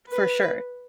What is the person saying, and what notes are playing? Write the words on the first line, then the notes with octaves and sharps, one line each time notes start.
For sure.
B4